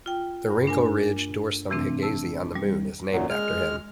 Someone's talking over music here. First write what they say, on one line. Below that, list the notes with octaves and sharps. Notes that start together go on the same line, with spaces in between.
The wrinkle ridge Dorsum Higazy on the Moon is named after him.
F4 G5
G2
A3 D4 A#4 G#5
C3 E3 A3 C4 D4
A5 E6
G3
F#2 A#2 F#3
G#3 F6